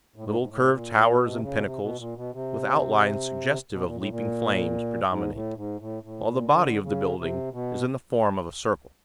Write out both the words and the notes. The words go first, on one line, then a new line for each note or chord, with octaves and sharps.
Little curved towers and pinnacles, with outlines suggestive of leaping flames, predominate; while the body of the building is in the form of a circle.
A2
G#2
G#2
A2
A#2
A#2
B2
C3
C#3
B2
C3
B2
A#2
B2
C3
B2
A#2
A2
A#2
G#2
A2
G#2
A2
A2
A#2
D3
C#3
C3
B2